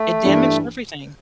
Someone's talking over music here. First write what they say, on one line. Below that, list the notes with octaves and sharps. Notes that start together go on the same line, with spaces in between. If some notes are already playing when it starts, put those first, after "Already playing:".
it damaged everything.
Already playing: A3
G2 E3 G3 D4